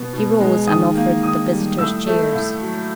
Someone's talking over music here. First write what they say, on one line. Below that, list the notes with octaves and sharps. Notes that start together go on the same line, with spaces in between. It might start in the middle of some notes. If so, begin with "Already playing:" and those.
He rose and offered the visitors chairs.
Already playing: B2 B3
B2
G#3
D#3 D#6
A#3
D#3 D#6
G3
A2 E6
A3
A2
F#3